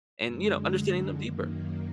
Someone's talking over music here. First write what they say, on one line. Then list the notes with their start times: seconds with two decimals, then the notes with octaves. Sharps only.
And, you know, understanding them deeper.
0.22 F#2 D3 G#3
1.19 F#2 D#3 A#3